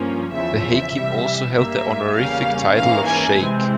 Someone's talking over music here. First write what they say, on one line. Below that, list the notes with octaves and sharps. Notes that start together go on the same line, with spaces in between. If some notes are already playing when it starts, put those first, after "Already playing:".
The Hakim also held the honorific title of sheikh.
Already playing: G2 F3 A#3 C#4
E2 C#3 F3 E5
C3 E3 G3
G2 G3 A#3 E5
E2 C#3 G3 A#3 C#4 F5
G#2 E3 A#3 C#4 F5
G#5
C3 E3 G#3 C4